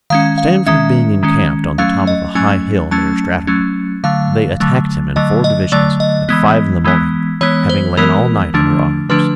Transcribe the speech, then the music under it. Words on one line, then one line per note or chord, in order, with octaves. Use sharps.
Stamford being encamped on the top of a high hill near Stratum, they attacked him in four divisions, at five in the morning, having lain all night under arms.
D#3 G#3 C#4 F5
F5
D#3 G#3 C#4 E5
D#3 G#3 C#4
F#3 A3 C#4 F5
D#5
F#3 A3 C#4 G#5
F#3 A3 C#4 A5
F#3 A3 C#4
D3 F#3 A3 F5
D3 F#3 A3
D3 F#3 A3 D#5
D#5
D3 F#3 A3 D5
D#5
E3 G#3 B3
E3 G#3 B3
E3 G#3 B3 C#5
C5
E3 G#3 B3 A#4
D3 F3 A3 D4
D3 F3 A3 D4 B4